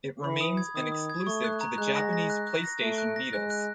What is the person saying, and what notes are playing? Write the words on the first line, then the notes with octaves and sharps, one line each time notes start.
It remains an exclusive to the Japanese PlayStation Vitas.
E3 B5
D#6
G#6
D#3 D#6
D#6
G#6
A3 C#6
F#6
A#5
G#3 F#6
A#6
A#6
F#6
F#6
A#6
A3 D7
F#6
A#6
G#3 F#6
F#6